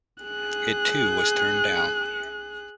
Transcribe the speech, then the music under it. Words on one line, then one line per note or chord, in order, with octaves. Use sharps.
It too was turned down.
G#4 F#6